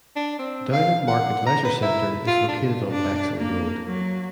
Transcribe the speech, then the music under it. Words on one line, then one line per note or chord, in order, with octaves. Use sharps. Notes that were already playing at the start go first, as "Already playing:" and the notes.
Downham Market Leisure Centre is located on Bexwell Road.
D4
C4
F5
F#5
A#5
B4
E4
F4
D4
D4
A#3
F#3